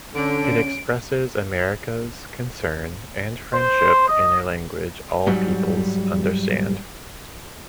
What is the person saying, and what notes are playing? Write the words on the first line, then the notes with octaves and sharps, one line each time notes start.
It expresses America's concern and friendship in a language all peoples understand.
D3 C#4 D7
C5
D#5
G#2 F#3 G3